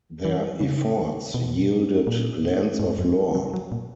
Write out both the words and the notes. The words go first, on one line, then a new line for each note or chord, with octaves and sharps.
Their efforts yielded "Lands of Lore".
E3
C#3
B2
A#2
G#2
F#2
F#3
F#3
A#2